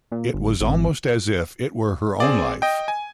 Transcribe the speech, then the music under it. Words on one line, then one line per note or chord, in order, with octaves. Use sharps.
It was almost as if it were her own life.
A#2
G1
G#1
C4 G#4 D5
D#5 G5
G#5